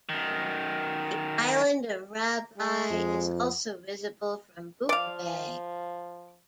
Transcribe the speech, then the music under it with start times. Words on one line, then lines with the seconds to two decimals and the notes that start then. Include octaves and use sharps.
The island of Rabi is also visible from Buca Bay.
0.09 F#2 D#3
2.58 G#3
2.91 F2
4.89 F3 D5 F5